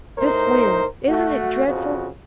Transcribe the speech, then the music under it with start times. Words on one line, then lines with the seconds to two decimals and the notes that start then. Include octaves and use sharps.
This wind--isn't it dreadful?
0.19 A2 D#4 A#4 C5
1.08 A3 F#4
1.67 F2 C#3 F3 F#4